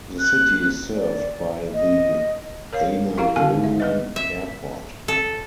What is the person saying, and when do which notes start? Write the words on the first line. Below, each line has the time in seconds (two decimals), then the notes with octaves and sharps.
The city is served by the Anadolu Airport.
0.20 F#6
0.96 D5
1.74 D#5
2.73 A#4 C#5 F5
3.17 E4 F#4 G4 A#4 F5 A#5
3.36 D3 D#3 B3 A4 F5 G#5
3.64 E5
3.80 B3 B4 D#5
4.16 E5
5.08 A4